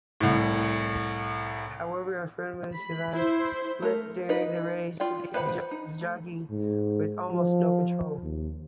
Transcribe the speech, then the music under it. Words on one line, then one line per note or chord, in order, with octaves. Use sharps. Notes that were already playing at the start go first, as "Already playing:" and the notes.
However, Affirmed's saddle slipped during the race, leaving his jockey with almost no control.
C2 A2
B5
E4 C5
A3 A#4
D#4 B4
F4 D5 G5
B4 C5 F#5 A5 B5
D#4
A3
G#2
F3
D#2